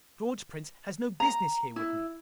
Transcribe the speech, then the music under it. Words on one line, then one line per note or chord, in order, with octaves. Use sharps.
George Prince has no business here with me!
A#5
E4